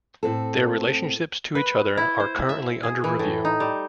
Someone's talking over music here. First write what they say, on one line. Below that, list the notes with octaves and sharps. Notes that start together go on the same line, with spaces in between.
Their relationships to each other are currently under review.
A2 C4 A4
B4
E4
C5
E5
G#4
E3
A2
D#4
G3